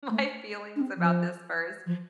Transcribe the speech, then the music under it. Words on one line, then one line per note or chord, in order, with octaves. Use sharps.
my feelings about this first,"
A3
D4
C4
F3
F3